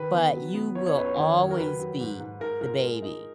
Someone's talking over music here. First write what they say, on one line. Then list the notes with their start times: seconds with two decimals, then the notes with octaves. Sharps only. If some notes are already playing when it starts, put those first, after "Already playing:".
But you will always be the baby,
Already playing: D#3 B4
0.14 B3
0.33 F#3
0.54 B3
0.75 F3 C#5
0.86 C#5
0.96 F#2 B4
1.06 C#5
1.16 D#3 C#5
1.38 F2
1.51 A#4
1.57 F#3 B4
1.79 F#3
2.00 G#2
2.20 G#2
2.40 G#2 A#4
2.61 F3 A#4
2.81 G#3
3.02 D#4